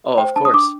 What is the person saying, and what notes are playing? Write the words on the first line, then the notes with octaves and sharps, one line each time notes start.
Oh, of course.
C5 G5
D4 A5
D#6
D4 D6